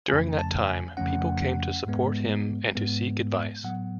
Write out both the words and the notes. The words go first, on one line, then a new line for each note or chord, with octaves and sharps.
During that time people came to support him and to seek advice.
F2 C#3 F3 A3 C#4 G#5
A5
G#5
F2 C#3 F3 A3 C#4 F#5
G#2 G#3 B3
G#2 G#3 B3
A2 F#3 B3 F#5